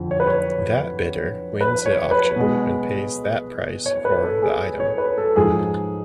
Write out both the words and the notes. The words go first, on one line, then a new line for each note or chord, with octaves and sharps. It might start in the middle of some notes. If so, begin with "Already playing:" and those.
That bidder wins the auction and pays that price for the item.
Already playing: F2 D3 F3
C#5
B4
C#5
B4
C#5
B4
B2 G#3
C#5
B4
A4
G#4
C#5
B4
A4
G#2 F3 G#3 G#4